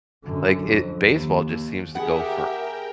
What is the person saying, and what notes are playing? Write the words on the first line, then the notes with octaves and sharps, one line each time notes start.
like, it baseball just seems to go for
F#2 D3
F2
D#2
B3 G4 G#4 A#4 E5 F#5 G5